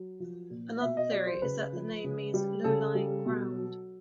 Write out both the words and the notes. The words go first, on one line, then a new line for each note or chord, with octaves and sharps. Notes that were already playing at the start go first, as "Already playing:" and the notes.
Another theory is that the name means "low-lying ground".
Already playing: F#3
F3
A#2
B2 E5
D#5
F#3 D5
C5
C#3 B4
F3
C#3
G3
C#3 A4
G3
B2
F#3